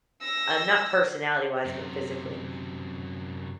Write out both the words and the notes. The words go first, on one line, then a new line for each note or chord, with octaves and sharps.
Uh, not personality-wise, but physically.
E6 A#6
F#2 C3